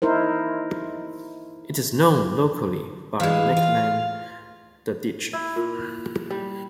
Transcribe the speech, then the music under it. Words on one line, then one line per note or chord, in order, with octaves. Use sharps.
It is known locally by the nickname The Ditch.
D#4 E4 A#4 C5
E3 G#3 F5
F4
E4
A#2
G3